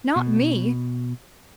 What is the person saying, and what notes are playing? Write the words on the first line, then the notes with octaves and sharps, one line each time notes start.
Not me!
B2